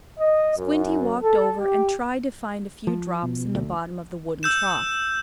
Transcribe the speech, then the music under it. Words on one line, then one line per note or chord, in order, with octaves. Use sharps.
Squinty walked over and tried to find a few drops in the bottom of the wooden trough.
D#5
F#2
A4
G4
F3
B2
D2
E6 G6 E7